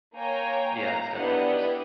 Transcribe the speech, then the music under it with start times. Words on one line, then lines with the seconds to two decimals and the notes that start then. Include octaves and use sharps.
yeah, it's definitely just
0.15 A#3 C#5 G5 G#5 A#5
0.75 F5 A#5
1.14 B3 D4 E4 G4 D#5 F#5